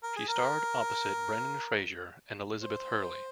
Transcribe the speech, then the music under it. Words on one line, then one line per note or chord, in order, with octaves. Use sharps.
She starred opposite Brendan Fraser and Elizabeth Hurley.
A#4
G#4
A#4
C5